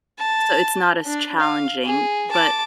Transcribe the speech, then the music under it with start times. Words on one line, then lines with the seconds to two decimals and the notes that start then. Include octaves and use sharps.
so it's not as challenging, but,
0.18 A5
1.06 D4
1.40 F5
1.85 G#4
2.31 A5 D6